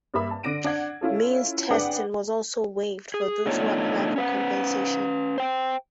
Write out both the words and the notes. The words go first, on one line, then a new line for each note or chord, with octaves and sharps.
Means testing was also waived for those who apply for compensation.
G2 G3 A#3 E5 B5
A5
D3 D4 A#6 D7 D#7
D4 F#5 G#6
C#4 E4 F4 A4
D4 G#4 B4 F#5 G5 D6
G#4
A3 B3 D4 D#4 F4 C#5
C#4 B4 F#5
C5 G5